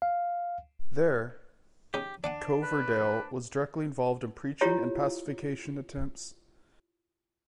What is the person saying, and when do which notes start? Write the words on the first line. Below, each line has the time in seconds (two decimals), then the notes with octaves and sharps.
There, Coverdale was directly involved in preaching and pacification attempts.
0.02 F5
1.94 G#3 C#4 D#4 G4
2.24 D4 D5 F#5 G#5
2.63 B4
4.61 E4 F4 G4 C#5 A#5